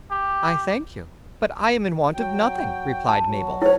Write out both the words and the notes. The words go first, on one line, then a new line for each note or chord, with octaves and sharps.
"I thank you, but I am in want of nothing," replied Mabel.
G4
F#3 G5
A5
F#3
E4 C5 C#5